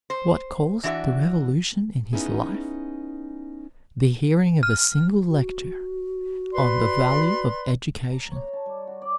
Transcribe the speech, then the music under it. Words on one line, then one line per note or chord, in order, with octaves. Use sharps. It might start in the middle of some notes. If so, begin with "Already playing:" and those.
What caused the revolution in his life? The hearing of a single lecture on the value of education.
C5
E3 D4 F#4 B4 E5
B3 C#4 D#4 E4 G#4
F6
F#4
B4 D5 C6
A#5
C#5
A5
G3
F#4
D5